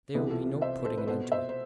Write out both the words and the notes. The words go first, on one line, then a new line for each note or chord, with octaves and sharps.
There will be no putting an end to it.
C2 C3 E3 B3 G#4 B4
F4 A4
C5 E5
A4 C5
B4
B2 B3 A4 C5
C5 E5
C5